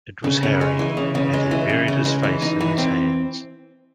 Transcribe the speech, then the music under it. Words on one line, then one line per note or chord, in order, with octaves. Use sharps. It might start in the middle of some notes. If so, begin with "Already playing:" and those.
It was Harry, and he buried his face in his hands.
C#3
C#3
G#3
E3
C#3
C#3
G#3
E3
C#3
C#3
G#3
E3
D#4
E3
C4